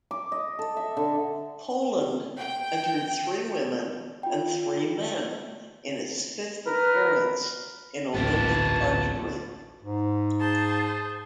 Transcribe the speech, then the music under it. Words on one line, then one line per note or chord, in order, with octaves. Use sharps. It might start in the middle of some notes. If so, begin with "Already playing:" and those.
Poland entered three women and three men in its fifth appearance in Olympic archery.
D6
D#5
A4
E5
D3
G5
F4 G5
A#4 B4
D1 A1 A#2 B3 G4 A5
G#2
G#4 C5 A5